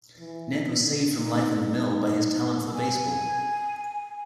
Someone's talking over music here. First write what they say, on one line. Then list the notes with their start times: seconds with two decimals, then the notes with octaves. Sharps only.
Ned was saved from life in the mill by his talent for baseball.
0.19 E3
0.82 D3
1.13 D#4
1.76 D#4
2.75 G#5